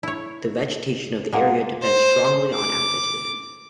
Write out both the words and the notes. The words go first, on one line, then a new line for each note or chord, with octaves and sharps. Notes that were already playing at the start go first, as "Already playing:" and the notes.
The vegetation of the area depends strongly on altitude.
E4 C#5
G#3 A#3 F#5
C5
D6